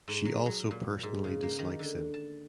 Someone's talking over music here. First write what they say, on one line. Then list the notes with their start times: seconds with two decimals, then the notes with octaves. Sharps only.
She also personally dislikes him.
0.08 G#2
0.25 F#3
0.46 F#3
0.71 A#2
1.03 G#2
1.24 C#3
1.43 A#3
1.59 D#3
1.79 D3
2.14 A5